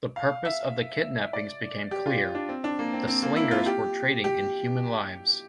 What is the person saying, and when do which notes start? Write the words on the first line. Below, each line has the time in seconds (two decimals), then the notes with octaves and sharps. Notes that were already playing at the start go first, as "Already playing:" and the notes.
The purpose of the kidnappings became clear: the Slingers were trading in human lives.
0.16 F5
0.45 E5
1.33 D5
1.91 G4
2.06 F4
2.35 D4
2.49 C4
2.64 D4
2.79 A#3
2.93 C4
3.07 C4
3.23 A#3
3.36 E4
3.51 F4
3.66 G4
4.24 G4